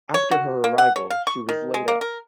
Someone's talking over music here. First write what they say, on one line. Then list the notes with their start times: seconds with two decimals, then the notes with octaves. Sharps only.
After her arrival she was laid up.
0.14 C#5
0.31 F#4
0.64 A#3
0.78 F#5
0.96 C#5
1.10 F5
1.27 C#6
1.49 D#3
1.74 G#3
1.88 A#3
2.01 A#4